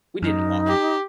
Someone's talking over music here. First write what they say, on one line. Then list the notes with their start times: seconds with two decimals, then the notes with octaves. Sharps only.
We didn't walk.
0.23 F#2 D#4
0.68 G4